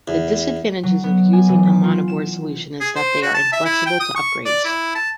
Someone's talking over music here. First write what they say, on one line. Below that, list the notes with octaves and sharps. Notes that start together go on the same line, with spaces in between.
The disadvantages of using a monoboard solution is that they are inflexible to upgrades.
E2
F#3
B3
G#5
E3
B6
F4
E7
G#4
C5
F#4
A5
E5
E4
G5
D#6
C#6
D5
E4
A5